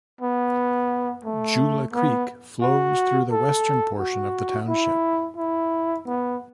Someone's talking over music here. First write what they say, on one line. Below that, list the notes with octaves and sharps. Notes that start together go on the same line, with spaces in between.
Joula Creek flows through the western portion of the township.
B3
A3
B3
F#4
A4
F#4
E4
E4
B3